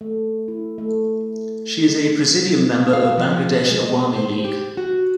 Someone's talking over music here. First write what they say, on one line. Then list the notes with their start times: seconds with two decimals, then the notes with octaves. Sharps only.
She is a presidium member of Bangladesh Awami League.
0.01 A3
0.48 E4
0.78 A3
2.93 F5
3.18 F3
3.69 G#3
4.16 C5
4.44 G4
4.77 F#4